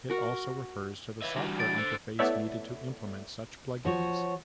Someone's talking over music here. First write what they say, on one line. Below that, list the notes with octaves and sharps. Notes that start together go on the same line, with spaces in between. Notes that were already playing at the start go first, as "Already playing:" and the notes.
It also refers to the software interface needed to implement such plugins.
F#4 A#4
B4 C#5 D#5 E5
E3 G3 D4 F#4
A6 D7
B2 D3 C5
A3 B3 E4 C#5 D5 E5
F3 F#4 C#5